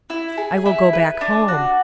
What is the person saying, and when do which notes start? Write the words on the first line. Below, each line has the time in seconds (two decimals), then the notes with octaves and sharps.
I will go back home.
0.10 E4
0.37 G#4
0.66 E4
0.93 B4
1.21 D4
1.48 F#4